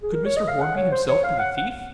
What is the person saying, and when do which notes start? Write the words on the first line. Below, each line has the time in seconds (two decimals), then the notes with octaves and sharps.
Could Mr. Hornby himself be the thief?
0.03 G#4
0.13 A#4
0.26 C#5
0.37 D#5
0.48 F5
0.61 F#5
0.76 C#5
0.92 C5
1.08 C#5
1.24 F5
1.39 F#5
1.56 F#5